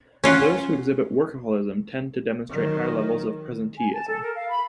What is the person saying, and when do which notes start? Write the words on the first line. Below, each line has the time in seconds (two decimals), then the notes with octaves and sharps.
Those who exhibit workaholism tend to demonstrate higher levels of presenteeism.
0.24 C#4 F4 F#5
2.50 D#3 F#3
3.77 G#5
3.93 A5
4.08 A4
4.22 A#4
4.35 F5
4.49 B5